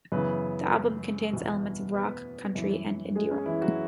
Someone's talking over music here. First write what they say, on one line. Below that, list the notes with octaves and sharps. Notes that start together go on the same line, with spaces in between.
The album contains elements of rock, country and indie rock.
F#2 C#3 E3 B3 B4
E2 B2
B3 B4
F#2 E3
G#3 G#4
C#4
E3 E4
F#3 F#4